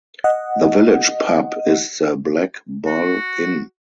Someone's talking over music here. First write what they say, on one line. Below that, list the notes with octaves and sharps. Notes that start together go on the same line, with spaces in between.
The village pub is the Black Bull Inn.
D#5 F#5
F#4